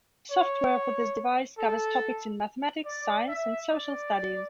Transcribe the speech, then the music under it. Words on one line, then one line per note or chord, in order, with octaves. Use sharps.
Software for this device covers topics in mathematics, science, and social studies.
C#5
A4
D5
E5
D5